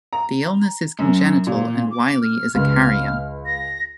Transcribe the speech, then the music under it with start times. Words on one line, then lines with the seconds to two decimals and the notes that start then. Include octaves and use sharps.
The illness is congenital and Whiley is a carrier.
0.13 A#5
0.99 F#2
1.47 A#2
1.91 D6
2.21 F6
2.55 C#2 B4 F6
3.45 A#6